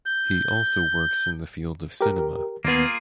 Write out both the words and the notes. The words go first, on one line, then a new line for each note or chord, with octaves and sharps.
He also works in the field of cinema.
G6
G4 A#4
D#2 A#3 B3 F4 G#4